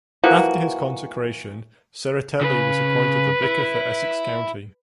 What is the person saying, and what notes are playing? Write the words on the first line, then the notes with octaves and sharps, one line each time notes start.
After his consecration, Serratelli was appointed the vicar for Essex County.
E3 F3 A#3 F#4
C#3 B4
E4